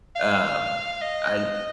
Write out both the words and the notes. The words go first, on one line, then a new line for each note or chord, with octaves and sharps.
Um, I
F5
D#5